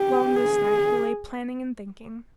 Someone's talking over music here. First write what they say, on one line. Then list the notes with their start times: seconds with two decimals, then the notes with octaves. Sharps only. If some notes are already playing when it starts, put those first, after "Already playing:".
Long this night he lay planning and thinking.
Already playing: G4
0.36 G#4